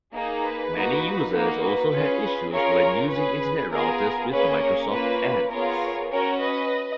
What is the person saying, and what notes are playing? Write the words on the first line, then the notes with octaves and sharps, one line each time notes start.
Many users also had issues when using internet routers with Microsoft Ants.
A#3 D#4 G#4
B4
A#3 D#4 F#4
A#3 D#4 F#4
B4
C#4 F4 G#4
B4
C#4 F4 G#4 A#4 C#5
C#4 G#4 B4
B3 F4 G#4 A#4
A#3 C#4 G#4 B4
A#4 C#5
A#3 C#4 F4 B4
B3 F4 G#4 A#4 C#5
C#4 F#4 A#4 C#5
B4 D#5